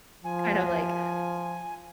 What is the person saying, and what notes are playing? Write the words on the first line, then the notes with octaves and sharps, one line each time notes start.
Kind of like,
F3 G#5